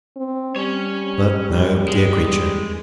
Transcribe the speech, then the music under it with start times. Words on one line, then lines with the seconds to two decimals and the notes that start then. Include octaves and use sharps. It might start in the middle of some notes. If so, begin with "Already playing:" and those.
But no, dear creature!
0.17 C4
0.56 G3 C#4 C#5
1.88 G#3